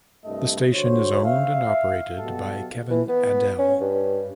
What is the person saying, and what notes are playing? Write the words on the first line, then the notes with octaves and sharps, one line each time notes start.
The station is owned and operated by Kevin Adell.
C2 G2 A3 D#5
D3 F#4 C5 C#5
E5 F5
B2 F#3 F#4 G4 A4 F5
E3
B3
C#4
G2